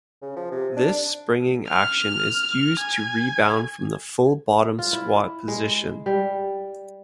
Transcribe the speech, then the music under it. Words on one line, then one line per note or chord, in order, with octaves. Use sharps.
This springing action is used to rebound from the full bottom squat position.
C#3
F3
C3
D4
F6
G#5
F4
E4
G#3
G3